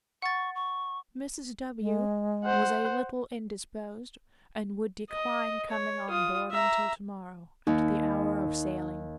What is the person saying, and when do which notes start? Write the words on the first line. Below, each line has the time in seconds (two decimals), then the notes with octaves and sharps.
"Mrs. W. was a little indisposed, and would decline coming on board until to-morrow, at the hour of sailing."
0.22 F#5 C#6 A6
0.55 C#6
1.80 G#3
2.45 C5 F#5
5.09 D#5
5.70 C#5
6.10 F4 D#6
6.52 E5 A#5
7.67 D#2 D#4